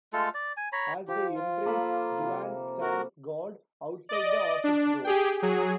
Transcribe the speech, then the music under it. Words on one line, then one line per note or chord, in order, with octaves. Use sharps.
As they embrace, Duane stands guard outside the office door.
G#3 A3 F4 A4
D5
G#5
C#5 A#5 B5
F3 G4
F4
A#3 A4 B5
C3
F#4 A#4
D5 D#5
D4
G4 G#4 G5
F#3 G#4